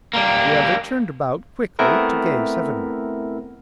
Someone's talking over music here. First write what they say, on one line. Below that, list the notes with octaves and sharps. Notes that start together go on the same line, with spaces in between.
The other turned about quickly to gaze heavenward.
G3 A#3
A3 B3 C4 E4 A#4 B4